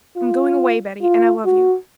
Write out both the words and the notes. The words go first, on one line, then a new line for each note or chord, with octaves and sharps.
I'm going away, Betty, and I love you.
F4
F4
F#4